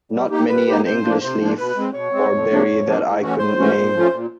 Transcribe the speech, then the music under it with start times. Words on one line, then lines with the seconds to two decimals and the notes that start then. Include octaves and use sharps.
Not many an English leaf or berry that I couldn't name.
0.12 G3
0.30 A#3 D#4 G4
0.48 G3 B4
0.67 A#3 D#4 G4
0.85 C3 C5
1.03 F3 A#3 D4
1.21 C3 C5
1.39 F3 A#3 D4
1.57 B2 B4
1.76 G#3 C4
1.93 B2 C#5
2.12 G#3 C4
2.30 F2
2.49 C3 F3 A#3 D4
2.66 F2
2.85 C3 F3 A#3 D4
3.03 A2
3.21 E3 A3 C#4 F#4
3.39 A2 C5
3.58 E3 A3 C#4 F#4
3.76 A#2
3.94 F3 A3 C#4 F4
4.12 A#2